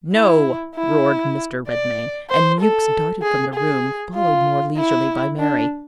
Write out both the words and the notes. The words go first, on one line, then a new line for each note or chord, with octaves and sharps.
"No!" roared Mr. Redmain; and Mewks darted from the room, followed more leisurely by Mary.
E4
E4
D5
C5
A4
G#4
G#4
F4
E4
D4